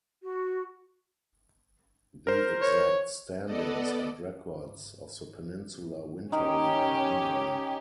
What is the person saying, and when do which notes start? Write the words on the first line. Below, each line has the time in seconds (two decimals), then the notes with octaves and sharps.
The exact standings and records of the Peninsula Winter League are unknown.
0.24 F#4
2.27 A#4 C5
2.62 C#5
3.45 B3 A4 D5 D#5
6.32 D#3 C#4 G4